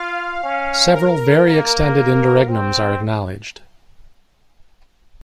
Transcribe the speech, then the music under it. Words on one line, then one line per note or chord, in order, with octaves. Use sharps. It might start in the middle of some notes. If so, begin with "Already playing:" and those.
Several very extended interregnums are acknowledged.
Already playing: F4 F5
C#4
A#4
A#3 A#4
C4